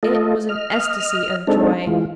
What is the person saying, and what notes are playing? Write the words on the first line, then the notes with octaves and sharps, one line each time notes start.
It was an ecstasy of joy!
A3 F4 A4 D#5
D#5 F6
G#3 C4 D4 D#4 A4
E3 G#3 F4